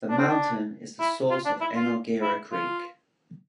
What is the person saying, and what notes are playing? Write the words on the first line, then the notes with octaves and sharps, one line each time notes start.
The mountain is the source of Enoggera Creek.
D4
C4
D4
E4
F4
D4
E4
F4
E4
F4